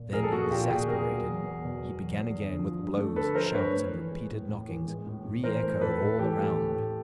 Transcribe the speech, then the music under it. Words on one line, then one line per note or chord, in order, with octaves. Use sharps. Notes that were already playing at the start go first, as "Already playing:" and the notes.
Then, exasperated, he began again with blows, shouts, and repeated knockings, re-echoed all around.
Already playing: A#2
F3 G#4 A#4
A4
A#3 F#4 G#4
A#2 F4 G4
A#2 F#4 G#4
B2 G#4 A#4
F#3
E2
E2
B2
F#3
E2
E2
D3
F3
G2
A3
D3 A4 B4
F3 A#4 C5
C5
G2 B4 C#5
A3
E3
G#3
A2
A2
E3
G#3
A2
A2
E3 A#4 C5
A3
A2 A4 B4
A2
E3 G4 A4
A3
A2
A2